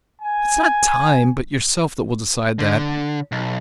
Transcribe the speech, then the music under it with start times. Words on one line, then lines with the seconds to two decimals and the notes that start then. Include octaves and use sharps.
It's not time, but yourself that will decide that.
0.21 G#5
2.59 D3
3.32 B1